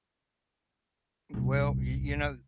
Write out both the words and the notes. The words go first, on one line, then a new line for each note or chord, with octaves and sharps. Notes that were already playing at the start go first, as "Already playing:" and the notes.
Well, y you know,
D#1 C2